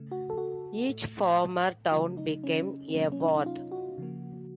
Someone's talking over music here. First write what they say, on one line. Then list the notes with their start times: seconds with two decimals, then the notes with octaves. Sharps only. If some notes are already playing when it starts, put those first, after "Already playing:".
Each former town became a ward.
Already playing: C#3 A3
0.11 F#4
0.30 A4
0.38 F#4
0.89 A2 A3
1.92 C#3 F#3 A3 F4
2.17 D#4
2.44 C#4
2.88 C4
2.95 C3 F#3 A#3 C#4
3.12 C#4
3.20 D#4
3.46 F4
3.72 F#4
3.98 C#3 F3 A#3